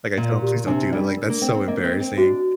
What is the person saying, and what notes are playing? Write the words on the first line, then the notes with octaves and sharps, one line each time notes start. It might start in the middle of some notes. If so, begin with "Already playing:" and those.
Like, I tell him, "Please don't do that. Like, that's so embarrassing."
A#2 D5
G4
C3 D4
G3 D5
A#4
A#3
C4 G5
C4
A#3 D#5
C4
A#4
C4
D4 F#4